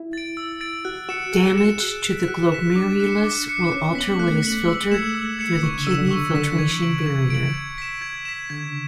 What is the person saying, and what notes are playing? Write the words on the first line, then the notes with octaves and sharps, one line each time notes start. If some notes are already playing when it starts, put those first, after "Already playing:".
Damage to the glomerulus will alter what is filtered through the kidney filtration barrier.
Already playing: E4
A6 D7
E6
A6 D7
F#4 F#6
F#4 C#7 E7
G#4 F#6
C#7 E7
F#6
B6 E7
F#4 F#6
B6 E7
D4 D6
F#6 C#7
D6
F#6 C#7
C#4 F#6
B3 B6 F#7
A3 F#6
B6 F#7
G#3 E6
A3 G#6 C#7 E7
E6
G#6 C#7 E7
C#3
D3 C#6
C#3
D3 E6 B6 E7
D3
F#3 C#6
D3 E6 B6 E7
E3 G#6
C#3 D7 F#7
C#3 G#6
D7 F#7
G#6
B6 E7
G#6
B6 E7
D3 G#6
C#3